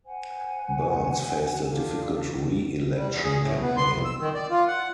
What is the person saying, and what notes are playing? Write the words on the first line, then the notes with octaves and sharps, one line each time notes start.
Burns faced a difficult re-election campaign.
C5 F#5 G#5
D4 F4 G4 A4
G3
E2
G#4
A2
B3
C6
F2
E6
D#3
D5
F4
F#5